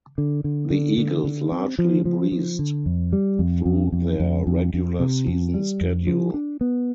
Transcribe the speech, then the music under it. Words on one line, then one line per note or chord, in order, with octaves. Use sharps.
The Eagles largely breezed through their regular season schedule.
D3
D3
D3
D3
D3
C4
F3
F3
F3
D3
F2
G3
F2
F2
F2
F2
F2
F2
C3
F2
G3
F2
F3
D4
B3